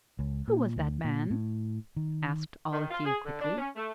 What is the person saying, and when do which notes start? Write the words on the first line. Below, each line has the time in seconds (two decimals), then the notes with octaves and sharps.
"Who was that man?" asked Alethia quickly.
0.19 C#2
0.48 A#2
0.76 D2
1.04 A#2
1.30 A2
1.96 D#3
2.71 D#3
2.91 F4
3.04 G#4
3.24 D3
3.41 D4
3.58 C#4
3.76 A3